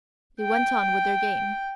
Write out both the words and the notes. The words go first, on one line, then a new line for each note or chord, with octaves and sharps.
They went on with their game.
G5